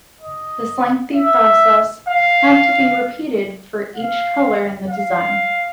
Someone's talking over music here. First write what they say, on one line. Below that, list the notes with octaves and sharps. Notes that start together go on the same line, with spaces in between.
This lengthy process had to be repeated for each color in the design.
D#5
E5
F5
F5
F5